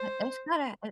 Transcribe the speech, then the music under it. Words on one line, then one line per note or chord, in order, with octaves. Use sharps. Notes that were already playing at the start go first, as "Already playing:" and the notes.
I it's gotta
Already playing: C5